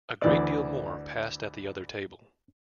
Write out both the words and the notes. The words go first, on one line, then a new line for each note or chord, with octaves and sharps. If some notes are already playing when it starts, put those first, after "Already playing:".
A great deal more passed at the other table.
D2 E3 D5